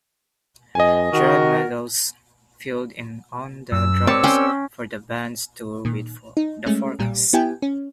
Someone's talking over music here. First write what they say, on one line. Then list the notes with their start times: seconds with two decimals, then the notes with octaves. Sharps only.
Jerad Meadows filled in on the drums for the band's tour with The Forecast.
0.75 F2 D#5 G#5
1.13 D#3 F#4 A#4
3.72 F#2 E6
4.07 C4 G4 A#4 C#5 D5 A5
4.23 C#4 G5 C6
5.85 A#2 D#3
6.37 D#4
6.66 G#3 A3 C#4
6.99 B1 A#2 G3
7.33 B3 E4 G4 G5 G#5
7.62 C#4